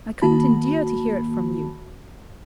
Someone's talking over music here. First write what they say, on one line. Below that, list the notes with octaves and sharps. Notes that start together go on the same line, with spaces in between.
I couldn't endure to hear it from you.
D#3 A#3 F#4 A5 B5